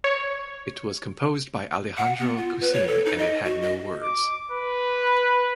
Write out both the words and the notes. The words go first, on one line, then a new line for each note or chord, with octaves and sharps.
It was composed by Alejandro Cousin and it had no words.
C#5
F#5
B3
F4
B4
C#5
A4
D#4
D#5
F#4
D#5
D6
B4